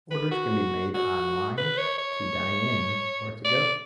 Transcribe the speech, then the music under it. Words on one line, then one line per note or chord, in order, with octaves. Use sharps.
Orders can be made online, to dine-in, or to-go.
B4
F#4
F#4
B4
C#5
C#5
D5